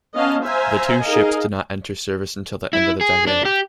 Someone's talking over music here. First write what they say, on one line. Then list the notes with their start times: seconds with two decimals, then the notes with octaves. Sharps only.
The two ships did not enter service until the end of the decade.
0.14 B3 C#4 D#5 F5 A5
0.44 C5 E5 F5 G#5 A#5
1.02 D#4 G#4 A#4 D#5 F5
2.73 E4
3.01 G#4
3.27 D4
3.45 G4